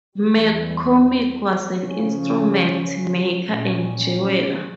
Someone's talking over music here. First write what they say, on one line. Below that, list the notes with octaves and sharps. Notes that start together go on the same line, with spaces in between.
McCormick was an instrument-maker and jeweller.
E2 E3 G3
C#3 F3 C#4
A#2 G3 C#4